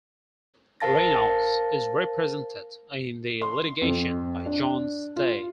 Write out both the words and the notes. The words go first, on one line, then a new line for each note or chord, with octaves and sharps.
Reynolds is represented in the litigation by Jones Day.
A#4 C5 F5 A5 A6 A#6
C6
F2
D4
F4